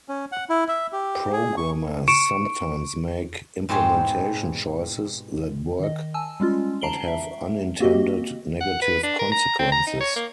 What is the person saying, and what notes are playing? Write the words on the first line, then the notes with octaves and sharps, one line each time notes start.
Programmers sometimes make implementation choices that work but have unintended negative consequences.
C#4
F#5
E4
E5
G4
G#4
C#6
C#6 C#7 D7 E7
G#2 B2 C4 G4 G#4
D#3 D#5
G#5 A5 E6
G3 G#3 C#4 F4
A5 A#5 C7 D7 F#7 G7
E5
A#3 C4 F#4 G4 D#5
F#5
B4
D4
A#4
A#5
C4
A#5
D#4
C#5
A#3